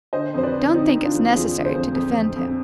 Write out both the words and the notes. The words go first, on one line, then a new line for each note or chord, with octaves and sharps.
Don't think it's necessary to defend him.
D3 C5 D#5
F2 C5
B4 D5
D3
D3 C4 D#4
D3
D4 F4
F2
F2 F4 G#4
D3
G#4 C5
F2
F2
F2
F2